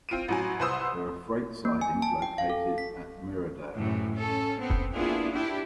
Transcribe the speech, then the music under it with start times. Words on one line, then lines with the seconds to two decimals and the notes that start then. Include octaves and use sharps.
There are freight sidings located at Myrdal.
0.09 C4 F4 D7 D#7
0.28 A1 F#3 G#5
0.60 C2 B4 C5 C6 D#6 E6
1.65 A#3
1.81 G#5
2.02 A5
2.22 G5
2.38 F5
2.50 A4
2.78 B6
3.76 F#2 A2 C3 E3
4.13 C#4 A4
4.60 B3 C4
4.94 A#3 B3 D4 E4 F4 G#4
5.31 D4 E4 G4